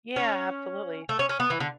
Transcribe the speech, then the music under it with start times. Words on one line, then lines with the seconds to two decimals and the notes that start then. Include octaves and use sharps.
Yeah, absolutely.
0.16 C#4
1.09 A3
1.19 C#4
1.29 C#4
1.40 B3
1.50 E3
1.60 D3